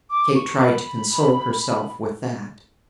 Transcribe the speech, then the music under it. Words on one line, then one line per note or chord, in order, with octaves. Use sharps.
Kate tried to console herself with that.
D6
C#6
B5